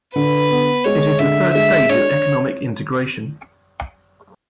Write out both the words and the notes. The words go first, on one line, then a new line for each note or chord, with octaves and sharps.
It is the third stage of economic integration.
D3 B4
B3
G#3 C#5
D3 E5
G#3 E5
D4 C#5